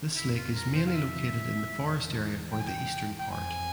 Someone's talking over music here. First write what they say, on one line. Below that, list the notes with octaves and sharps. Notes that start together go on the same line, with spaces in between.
This lake is mainly located in the forest area for the eastern part.
F2 E4
F4
A#4
C5
F5
E5
E2
G5
G#5
G5
G5
F2 G#5